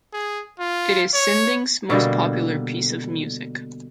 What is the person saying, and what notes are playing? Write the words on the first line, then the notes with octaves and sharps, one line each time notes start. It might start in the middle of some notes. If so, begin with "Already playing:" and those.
It is Sinding's most popular piece of music.
G#4
F4
C#5
B2 D3 G3 A#3